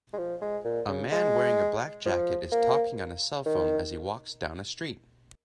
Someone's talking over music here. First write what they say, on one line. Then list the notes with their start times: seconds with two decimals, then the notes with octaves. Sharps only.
A man wearing a black jacket is talking on a cellphone as he walks down a street.
0.13 G#3
0.18 F3
0.42 G#3
0.65 A#2
0.88 C#3
1.12 G#3
2.06 F3
2.52 A#3
3.46 D#3